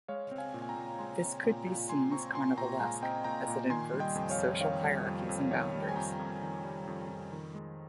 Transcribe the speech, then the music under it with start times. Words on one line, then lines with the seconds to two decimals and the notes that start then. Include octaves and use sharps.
This could be seen as carnivalesque, as it inverts social hierarchies and boundaries.
0.08 G#3 C#5 F5
0.31 C4
0.38 F5 G#5
0.54 A#2
0.62 G#5
0.69 G5 A#5
0.76 A#2
0.99 G#3 G#5 C6
1.22 C4
1.44 A#2 G5 A#5
1.66 A#2
1.89 G#3 G#5 C6
2.12 C4 A#5 C#6
2.34 A#2 G#5 C6
2.57 A#2 G5 A#5
2.80 G#3 F5 G#5
3.03 C4 D#5 G5
3.24 A#2 G5 A#5
3.48 A#2
3.70 D#3 G#5 C6
3.93 G3
4.00 D#5 G5
4.15 F2
4.30 C#5 F5
4.38 F2
4.61 D#3 C#5 F5
4.83 G3
5.06 F2
5.29 F2
5.51 D#3 C#5 F5
5.73 G3
5.82 G5
5.89 G#5
5.96 F2 G5 A#5
6.19 F2
6.42 D#3
6.64 G3
6.87 F2
7.09 F2
7.32 D#3
7.54 G#3